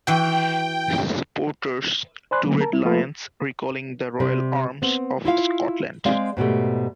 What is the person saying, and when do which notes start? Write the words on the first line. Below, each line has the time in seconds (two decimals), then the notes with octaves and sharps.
Supporters: Two red lions, recalling the royal arms of Scotland.
0.07 E3 F#4 G5
2.31 C5 D5 G#5 B5 C6 F#6
2.45 D3 F#3 A3 A#3
2.61 A#4 A5 A#5
2.72 G3 C4 E4
2.85 F3 A3 A#3 F4 A4 B4
4.20 C3 G3
4.82 B3 C4
5.25 E4 F4 F5
6.05 G#3 C4 D5 F5
6.37 G#2 B2 G3 A3